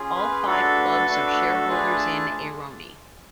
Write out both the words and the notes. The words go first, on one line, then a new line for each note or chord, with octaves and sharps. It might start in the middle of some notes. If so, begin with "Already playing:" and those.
All five clubs are shareholders in Aironi.
Already playing: C#4 F4 G#4
B4
A3 D4 F#4 A4
A3 D4 F#4 A4
A3 D4 F4 G#4 B4
A5